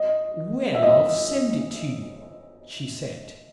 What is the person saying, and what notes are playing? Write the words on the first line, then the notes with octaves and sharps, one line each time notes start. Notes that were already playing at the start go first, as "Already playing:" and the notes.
"Well, I'll send it to you," she said.
Already playing: D#5
E5
D#5